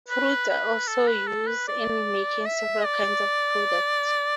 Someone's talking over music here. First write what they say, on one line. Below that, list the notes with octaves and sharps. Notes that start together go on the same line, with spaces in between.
Fruits are also use in making several kinds of products.
B4
B4
A4
B4
A4
B4
D5
E5
D5